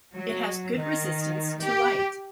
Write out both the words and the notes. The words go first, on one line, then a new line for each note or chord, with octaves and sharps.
It has good resistance to light.
F#3
D#3
G4